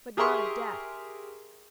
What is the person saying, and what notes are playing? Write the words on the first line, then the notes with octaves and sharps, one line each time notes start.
But not of death.
G4 G#4 A#4 E5 C6 C#6